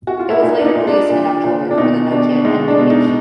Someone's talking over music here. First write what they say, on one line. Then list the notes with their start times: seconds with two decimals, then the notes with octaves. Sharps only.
It was later released in October for the Nokia N-Gage.
0.07 F#4
0.19 F4
0.30 E4
0.42 A#2 D#4
0.59 D4
0.65 D#4
0.76 A#2
0.87 D4
1.10 A#2
1.44 A#2
1.71 D4
1.77 B2 D#4
2.11 B2 D4
2.45 G#3 D#4
2.68 D4
2.79 B2
2.90 D#4